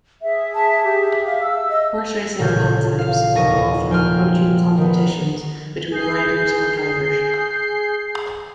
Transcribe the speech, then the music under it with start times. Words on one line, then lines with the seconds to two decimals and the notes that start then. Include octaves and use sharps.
Horse racing of all types evolved from impromptu competitions between riders or drivers.
0.22 G#4 E5
0.54 A5
0.84 G4
1.25 F5
1.42 E6
1.70 D#5
2.39 A1 A#2 C#3 G6 G#6
2.99 F5
3.35 F1 D#2 D#5 C#6 A#6 D#7
3.90 F3 G5 G#5 C6 F6
4.78 D#3 B3
5.91 G#4 G6 C7